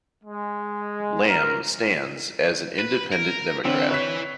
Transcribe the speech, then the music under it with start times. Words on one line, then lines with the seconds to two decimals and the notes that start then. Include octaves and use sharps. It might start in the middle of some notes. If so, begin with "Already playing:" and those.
Lam stands as an independent democrat.
0.23 G#3
1.28 A#4
2.79 B4
3.12 A#4
3.64 D3 E3 C4 C#4 B4
3.91 C#5 F#6 B6